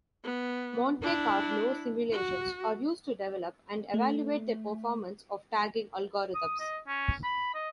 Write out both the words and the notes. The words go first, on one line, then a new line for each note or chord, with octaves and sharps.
Monte Carlo simulations are used to develop and evaluate the performance of tagging algorithms.
B3
D4 E4
F#4
A3
D#6
D#5
C#4
B5
D#5